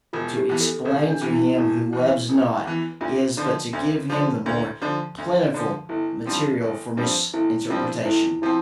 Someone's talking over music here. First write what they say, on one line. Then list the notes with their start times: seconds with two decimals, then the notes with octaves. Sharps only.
To explain to him who loves not, is but to give him the more plentiful material for misinterpretation.
0.13 E1 F4
0.37 G4
0.49 E2 E3
0.61 A4
0.85 E1 A4
1.09 D4
1.21 E2 E3
1.33 E4
1.57 E1 E4
1.93 E2 E3
2.29 E1
2.65 E2 E3
3.01 D2 F4
3.37 D3 F3
3.73 D2
4.10 D3 F3
4.46 D2
4.82 D3 F3
5.18 D2
5.54 D3 F3
5.89 G1 E4
6.26 G2 F3 C4
6.62 G1
6.97 G2 F3 C4
7.33 G1 E4
7.70 G2 F3 C4 F4
8.05 G1 E4
8.42 F3 C4 E4